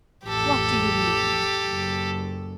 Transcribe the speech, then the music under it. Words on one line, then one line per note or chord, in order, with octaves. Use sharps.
"What do you mean?"
A1 F2 G4 A4
F#1